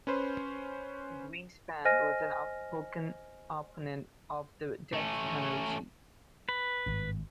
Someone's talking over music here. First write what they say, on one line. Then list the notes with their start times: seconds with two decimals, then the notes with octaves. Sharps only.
Greenspan was an outspoken opponent of the death penalty.
0.07 C#4 B4 C5
1.85 C5 D#5 G#5 F6 A#6 D#7
4.93 A3 C#4
6.49 B4
6.86 G#1 G2